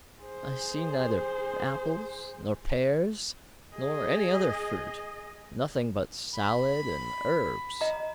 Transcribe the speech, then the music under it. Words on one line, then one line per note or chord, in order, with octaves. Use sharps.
I see neither apples nor pears, nor any other fruit, nothing but salad and herbs.'
G#4 C5
G#4 D#5
B5
D#5 A#5